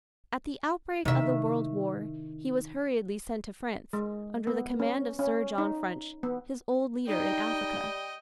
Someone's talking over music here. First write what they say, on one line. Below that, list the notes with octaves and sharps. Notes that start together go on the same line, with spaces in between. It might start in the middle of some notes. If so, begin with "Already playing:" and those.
At the outbreak of the World War, he was hurriedly sent to France, under the command of Sir John French, his old leader in Africa.
C3 D#3 E4 E5
G#3
B3
C#4
C#4
D#4
B3
G3 D#4 D#5 G5